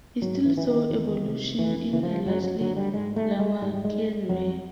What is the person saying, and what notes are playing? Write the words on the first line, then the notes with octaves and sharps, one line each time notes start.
He still saw evolution in a largely Lamarckian way.
G#2 F#3
E3
E3
D#3
E2
C3
F2 E3
C#3 E3
F3
F#2 F#3
F#3
D3 F#3
G3
G#2 G#3
A3
G#3
G#2 G3
G3
G#3
F2 F#3